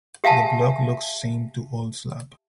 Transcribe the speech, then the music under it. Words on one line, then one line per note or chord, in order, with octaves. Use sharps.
The block looks same to Old Slab.
G4 E5 F5 G#5 A5